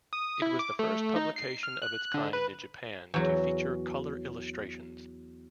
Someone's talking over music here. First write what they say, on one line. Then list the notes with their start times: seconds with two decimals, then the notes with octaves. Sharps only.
It was the first publication of its kind in Japan to feature color illustrations.
0.13 D#6
0.42 E4
0.59 D6
0.79 A3
1.16 D#4
1.36 C7
1.63 F6
1.82 F#6
2.14 D3
2.33 B4
3.14 E2 F#3